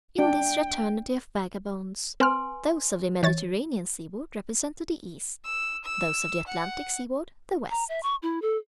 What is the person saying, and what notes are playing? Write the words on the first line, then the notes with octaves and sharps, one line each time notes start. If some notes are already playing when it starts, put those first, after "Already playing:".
In this fraternity of vagabonds, those of the Mediterranean seaboard represented the East, those of the Atlantic seaboard the West.
D4 G5
C4 B4 G#5 C6 F6
E3 C#5 A6
E6
E6
F#5
A#5
E5
C#6
E4
A4